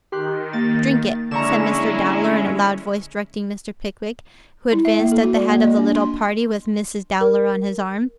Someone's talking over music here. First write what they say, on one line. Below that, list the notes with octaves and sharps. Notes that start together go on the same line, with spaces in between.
Drink it,' said Mr. Dowler, in a loud voice, directing Mr. Pickwick, who advanced at the head of the little party, with Mrs. Dowler on his arm.
D#3 G4 C6 F#6
A#3 A6
D3 F3 G#3 C#4 E4 A#5 C#6 E7
E4
E5
A#3
A4
F#4
D5
A#3
D#5
D4
C6
A#4